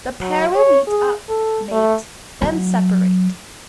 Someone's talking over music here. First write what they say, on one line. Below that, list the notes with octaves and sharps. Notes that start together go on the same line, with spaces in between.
The pair will meet up, mate, then separate.
F#3
C#5
G#4
A4
A3
F#3